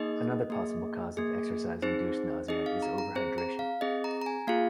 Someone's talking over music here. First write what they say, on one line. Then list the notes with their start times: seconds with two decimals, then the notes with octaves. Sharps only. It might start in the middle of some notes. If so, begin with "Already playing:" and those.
Another possible cause of exercise induced nausea is overhydration.
Already playing: A#3 D#4 G#4 D#5
0.50 A#3 G#4
1.17 A#3 G#4
1.82 C4 D#4 G#4 C5
2.48 C4 D#4 G#4 D#5
2.66 F5
2.82 A#5
2.98 A#5
3.15 C4 G#4 C5
3.38 A#5
3.59 F5
3.81 C4 G#4 D#5
4.04 A#5
4.22 A#5
4.26 G#5
4.47 A#3 F4 G#4 F5